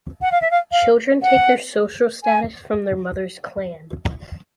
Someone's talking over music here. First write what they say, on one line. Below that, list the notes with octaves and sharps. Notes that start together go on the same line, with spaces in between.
Children take their social status from their mother's clan.
F#5
F5
E5
F5
F5
F#5
G#5